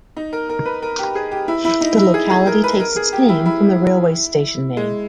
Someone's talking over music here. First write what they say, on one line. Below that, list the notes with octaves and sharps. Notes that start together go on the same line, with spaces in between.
The locality takes its name from the railway station name.
D#4
A#4
A#4
B4
A#4
G4
G#4
G4
E4
E4
D#4
E4
G#4
G#4
A#4
B4
A#4
A#4
G#4
G4
E4
G4
E4
G#3